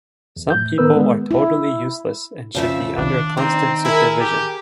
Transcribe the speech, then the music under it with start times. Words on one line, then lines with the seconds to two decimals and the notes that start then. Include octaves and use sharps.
Some people are totally useless and should be under constant supervision.
0.36 E2
0.50 A2 G6
0.78 D#3 B3 A#4 B4 E6
0.96 G#3 B3
1.31 E4
2.55 F2 C#3 F3 E5
2.97 D#3 D4
3.37 C4 D#4
3.85 E4 G#4 A#4
4.20 G4